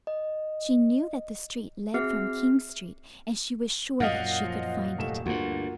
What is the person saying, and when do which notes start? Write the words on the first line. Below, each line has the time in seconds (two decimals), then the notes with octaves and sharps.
She knew that the street led from King Street, and she was sure that she could find it.
0.07 D#5
1.94 C4 F#4 G#4 E5 F6 C7
4.00 F#2 A#2 D#5 F5 F#5
4.44 F3
4.99 D#1 A3 E7
5.26 D2 G2 A#3 F4 F#4